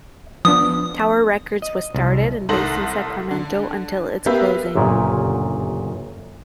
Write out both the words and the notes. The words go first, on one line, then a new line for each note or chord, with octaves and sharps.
Tower Records was started and based in Sacramento until its closing.
F3 B3 D4 D#6
D#5
C2
C2 D#3 A4 C6 A#6 F#7
D3
B3 G4 A#4 B4 E5 F5
G1 F#2 A#2 C#3